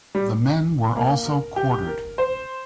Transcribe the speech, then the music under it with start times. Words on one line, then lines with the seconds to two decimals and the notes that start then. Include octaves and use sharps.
The men were also quartered.
0.15 G3
0.96 A#3
1.26 A#4
1.56 G4
1.87 A#4
2.18 C5